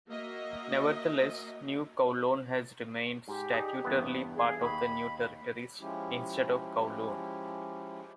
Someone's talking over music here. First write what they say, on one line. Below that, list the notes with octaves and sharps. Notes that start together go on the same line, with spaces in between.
Nevertheless, New Kowloon has remained statutorily part of the New Territories instead of Kowloon.
A#3 F#4 D#5 E5
G#2 G4
D#4 G#4 D5
E2 G2 B3
G#4
D#2 B5
F3 G#3 C#4 E4 G4